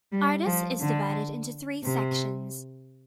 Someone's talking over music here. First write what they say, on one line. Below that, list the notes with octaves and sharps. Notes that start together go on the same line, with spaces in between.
Ardas is divided into three sections.
G3
F3
D3
C3